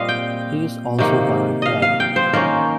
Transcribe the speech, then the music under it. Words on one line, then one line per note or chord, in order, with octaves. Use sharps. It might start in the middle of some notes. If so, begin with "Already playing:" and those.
He is also buried there.
Already playing: A#2 G3 C4 D#5 F5
G5
C3 D#3 A#3
D#5 F5
F5
G5
C5
D#3 A#3 C#4 A#4